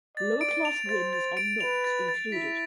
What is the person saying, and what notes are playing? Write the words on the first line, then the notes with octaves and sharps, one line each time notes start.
Lower class wins are not included.
D5 A6
D7
F7
C5 A6
A6
D7
B4 F7
A6
A6
E4 B6